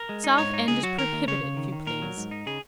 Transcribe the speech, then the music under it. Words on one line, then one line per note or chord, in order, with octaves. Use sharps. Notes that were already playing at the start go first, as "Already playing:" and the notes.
South End is prohibited, if you please.
Already playing: A#4
G#3
D#4
G#2 C#5
D#4
C#2 G#4
F#3 F#4
D#3 A#4
D#2
C#3 C#5
C#3
D#3
D#3
A#2 A#4
F#3
G#2
D#4
C#3 G#4